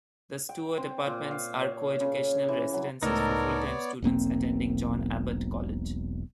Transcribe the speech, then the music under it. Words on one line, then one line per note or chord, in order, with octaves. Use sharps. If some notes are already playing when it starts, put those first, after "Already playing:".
The Stewart Apartments are co-educational residences for full-time students attending John Abbott College.
G5
C4
A#2
F5
C#5
C#3
E3
F#3
C#2 A2 B3 D#4 A4 A#4 C#5 D5
E1 B1 A#3 C4